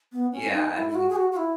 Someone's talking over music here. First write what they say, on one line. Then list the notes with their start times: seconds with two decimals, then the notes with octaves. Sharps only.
Yeah, I mean
0.12 B3
0.32 C#4
0.53 D#4
0.74 E4
0.90 E4
0.95 F#4
1.09 G#4
1.16 F#4
1.32 F#4
1.37 E4